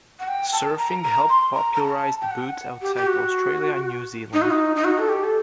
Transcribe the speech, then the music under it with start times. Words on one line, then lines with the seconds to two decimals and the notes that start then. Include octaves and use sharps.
Surfing helped popularise the boots outside Australia and New Zealand.
0.20 F#5
0.28 G5
0.53 A5
0.78 A#5
1.03 A#5
1.29 C6
1.54 A#5
1.74 A#5
1.80 A5
2.21 G5
2.31 F#5
2.82 G4
2.96 G4
3.07 F#4
4.33 D#4
4.42 F#4
4.51 D#4
4.76 D#4
4.84 F#4
4.99 A4
5.09 G4
5.24 A4